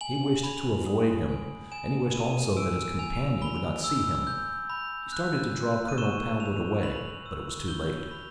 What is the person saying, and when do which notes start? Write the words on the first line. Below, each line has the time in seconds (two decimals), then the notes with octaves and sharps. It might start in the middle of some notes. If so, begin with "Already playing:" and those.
He wished to avoid him, and he wished also that his companion would not see him. He started to draw Colonel Talbot away, but it was too late.
0.01 G#5 F#7
0.43 B5
0.86 D#6
1.29 G#5
1.72 G#5 E7
2.14 B5 D#7
2.57 E6 D7
2.99 G#5 F7
3.42 B5 G7
3.84 E6
4.27 G6
4.70 B5
5.13 F#6
5.55 F#6
5.88 D#7
5.98 C#6 E7
6.40 C#6 F7
6.83 B5 F#7
7.26 E6
7.68 G6 G7
8.11 B5